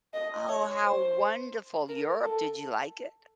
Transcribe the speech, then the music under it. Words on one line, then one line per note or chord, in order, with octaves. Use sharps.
Oh, how wonderful. Europe, did you like it?
D#5
C#5
C5
A#4
A4